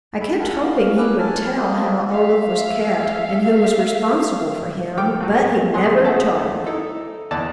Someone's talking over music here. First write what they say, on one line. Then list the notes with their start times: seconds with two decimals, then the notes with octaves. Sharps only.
I kept hoping he would tell how Olaf was kept and who was responsible for him, but he never told.
0.20 E5 B5
0.40 A#4 F#5 G#5 A5
0.62 B3 F5
0.97 C#4 E4 A#4 D6 E6 F#6
1.19 C#4 G#5 A5 F6
1.57 A#3 F4 A4 C5 D#5
2.10 E5 F5
4.98 A4 G5 D6 F6
5.20 A2 F#3
5.74 D2 F#3 G#4 C6
6.04 A3 F#4 G#4 E5 A5
6.66 D#4 E4 A4
7.31 E2 E3 D5 D#5 A5